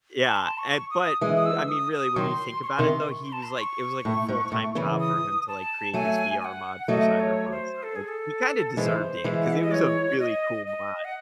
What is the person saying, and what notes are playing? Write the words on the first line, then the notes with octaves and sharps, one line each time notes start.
Yeah, and, but r I mean, really, when you think about it though, he was, like it was, like, a full-time job for him to, like, create this VR mod for Cyberpunk, so he kinda deserved it, 'cause it was a really cool mod.
A5
C6
A5
C#6
D#6
E3 G#3 D#6
D#6
E6
D#6
D#6
D#3 F#3 C6 C#6
C#6
C6
C3 D#3
C#6
C6
A5
C6
C#6
A2
G#2
A2
C#3 E3
D#6
A5
F#3 A3 G#5
G#5
F#5
F#3 A3 D#5
C#5
C5
A4
G#4
A4
E3 G#3 C5
E3 G#3
F#5
E5
D#5
C#5
D#5
D#5
F#5